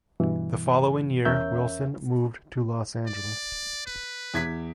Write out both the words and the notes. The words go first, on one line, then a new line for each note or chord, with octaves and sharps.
The following year, Wilson moved to Los Angeles.
G2 B2 E3
E2 C#4 A#4 C#5 E5 G6
D5
B4
E2 G#6 B6